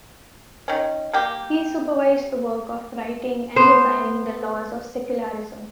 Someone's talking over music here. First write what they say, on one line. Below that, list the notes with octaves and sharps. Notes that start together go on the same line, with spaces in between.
He supervised the work of writing and designing the laws of secularism.
D#3 C#4
A#3 G4
B3 C5